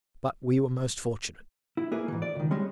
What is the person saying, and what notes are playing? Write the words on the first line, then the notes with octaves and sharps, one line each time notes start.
But we were most fortunate.
E4
A#3 E4 G#4 B4
G#2 E3
D5
C#2 D#3
G3 G#3 C#4